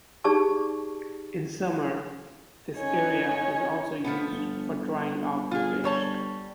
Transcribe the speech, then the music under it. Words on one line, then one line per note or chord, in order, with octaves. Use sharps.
In summer, this area is also used for drying out the fish.
D#4 G4 G#4 D5 A5 C#6
C#4 D#4 C#5 G#5
F3 A3 B3
G1
F4 G#4
G3 C#5 A5